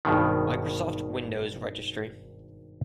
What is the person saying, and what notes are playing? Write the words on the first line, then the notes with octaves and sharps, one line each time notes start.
Microsoft Windows registry.
G#1 G2 B2 D#3